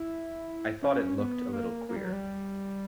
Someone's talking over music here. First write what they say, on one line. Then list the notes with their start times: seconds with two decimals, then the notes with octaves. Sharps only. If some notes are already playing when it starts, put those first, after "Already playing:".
I thought it looked a little queer.
Already playing: E4
0.83 C#4
1.19 B3
1.53 A#3
1.89 A#3
1.96 G3
2.04 F#3
2.13 G3